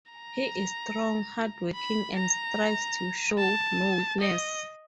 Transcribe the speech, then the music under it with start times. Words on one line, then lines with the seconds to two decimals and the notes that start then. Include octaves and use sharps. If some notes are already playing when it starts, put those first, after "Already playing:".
He is strong, hard-working, and strives to show no weakness.
0.12 A#5
1.75 B5
2.16 A#5
3.39 A5
4.21 D#5